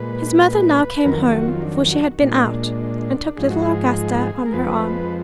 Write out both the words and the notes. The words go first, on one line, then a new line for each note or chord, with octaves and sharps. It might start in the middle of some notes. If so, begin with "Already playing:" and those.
His mother now came home, for she had been out, and took little Augusta on her arm.
Already playing: A#2 G#3 B4
F2 D#3 F#3 A#4
G#4
F#4
F4
D4
F#4
A#2 G#3 D4
G#2 F3 G#3 G#4
F#4
G#4
A#4
F2 F3 G#3 B4